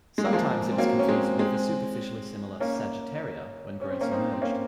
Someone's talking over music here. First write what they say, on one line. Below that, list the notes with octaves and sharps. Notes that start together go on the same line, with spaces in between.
Sometimes it is confused with the superficially similar "Sagittaria" when grown submerged.
G#3
A#3
F3 G#3
C4
F#3 A#3
C#4
G#3 C4
G#3 C4
A#3 C#4
C#4
C4
A#3 C#4
C4 D#4
C4
A#3 C#4